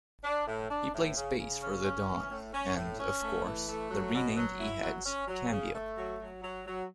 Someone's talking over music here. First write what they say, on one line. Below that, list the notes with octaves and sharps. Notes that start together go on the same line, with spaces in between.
He plays bass for The Dawn and, of course, the renamed Eheads, Cambio.
D4
A2
D4
A2
C#3
C#3
C#4
C#4
E3
A2
C#4
A2
C#4
A3
E3
A3
F#3
B2
F#3
E4
F#3
C#4
F#3
C#3
A3
F#3
F#3
F#3
F#3